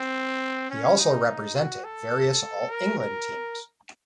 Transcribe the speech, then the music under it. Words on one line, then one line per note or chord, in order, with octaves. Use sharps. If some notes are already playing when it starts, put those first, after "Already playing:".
He also represented various All-England teams.
Already playing: C4
C#4
D#4
F#4
A4
A#4
A#4